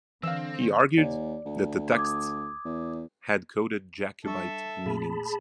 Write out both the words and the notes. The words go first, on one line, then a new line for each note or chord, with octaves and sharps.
He argued that the texts had coded Jacobite meanings.
D3 E3 C4 F5 E6
D#2 D5
D2
D6 D#6 G#6
E2
G3 D4 A4 E5 C#6
A#2 A3 A#3 G#4 A5 B5